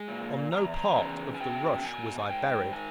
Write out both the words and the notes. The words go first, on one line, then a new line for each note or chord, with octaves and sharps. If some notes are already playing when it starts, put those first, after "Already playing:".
On no part of the rush was I buried.
Already playing: G#3 G#5
A#2
E2 A#5
A#5
C#3
G#5
B2 G5
B2 G#5
G#5
G#2 G5
D#3 G#5